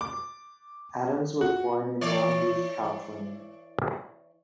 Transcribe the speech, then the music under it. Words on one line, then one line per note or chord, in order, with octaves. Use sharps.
Adams was born in Long Beach, California.
D6
F#4
E3 C#5 D5